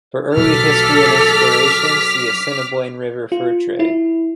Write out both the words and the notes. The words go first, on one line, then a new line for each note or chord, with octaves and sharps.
For early history and exploration see Assiniboine River fur trade.
B2 F#3 A4 D6 F6 B6
F4
E4